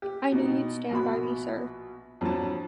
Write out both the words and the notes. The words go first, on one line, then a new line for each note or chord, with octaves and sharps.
I knew you'd stand by me, sir.
G4
B2 D#4
A#1 B2 F#4 B5
F2 F#3 D4 A5